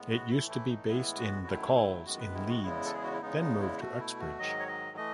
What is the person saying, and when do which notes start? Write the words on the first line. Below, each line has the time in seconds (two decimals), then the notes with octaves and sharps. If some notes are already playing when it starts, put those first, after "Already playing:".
It used to be based in "The Calls" in Leeds, then moved to Uxbridge.
Already playing: A2 G#3 B3
0.10 F#4
0.30 A2 E3 A3 E4
0.49 E4
0.69 D#4
0.88 A2 E3 G#3 B3 E4
1.18 F#4
1.46 F#2 D#3 F#3 A3 E4
1.76 E4
2.05 F#2 D#3 G#3 B3 F#4
2.19 B4
2.35 E4
2.49 F#4
2.63 E2 C#3 G#3 B3 E4
2.85 A4
2.94 G#4
3.04 F#4
3.12 E4
3.22 E2 C#3 G#3 B3 D#4
3.41 D#4
3.60 E4
3.80 B2 A3 F#4
4.00 E4
4.19 F#4
4.38 G#2 D#3 F#3 D#5
4.59 C#5
4.68 D#5
4.97 E3 A3 D#5